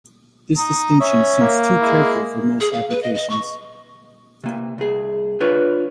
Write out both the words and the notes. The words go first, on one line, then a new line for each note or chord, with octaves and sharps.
This distinction seems too careful for most applications.
A#5 D#6
C#4 C#5 E5
A#3
G#3 E4
G#4
F5
B4
D#5
D#5
C#6
C3 A#3
C2 G#4
D4 F4 B4 C#5